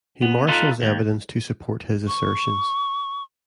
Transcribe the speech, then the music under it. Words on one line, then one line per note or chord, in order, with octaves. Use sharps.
He marshals evidence to support his assertions.
B3
D#4 F4 A4 B4
D#2
C#6